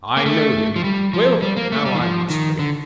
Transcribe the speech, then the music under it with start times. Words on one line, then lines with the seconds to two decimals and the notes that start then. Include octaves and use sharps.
I know him. Well, now, I must be off.'
0.17 A#3
0.26 A3
0.76 F3
0.84 G3
1.13 F3
1.42 G3
1.57 A#3
1.72 A3
1.86 G3
1.95 D#3
2.01 F3
2.30 D#3
2.59 D3